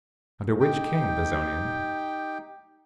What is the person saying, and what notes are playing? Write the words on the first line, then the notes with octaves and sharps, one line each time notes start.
Under which King, Bezonian?
D#4 G4 G5